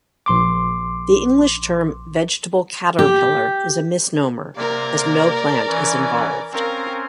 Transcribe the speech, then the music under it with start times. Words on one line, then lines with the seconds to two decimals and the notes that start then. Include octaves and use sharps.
The English term "vegetable caterpillar" is a misnomer, as no plant is involved.
0.26 A#1 C6 D6
2.99 G4
4.56 C3 A#3 A#4 D5
5.68 E3 C#4
6.53 C4 C#4 A#4 F5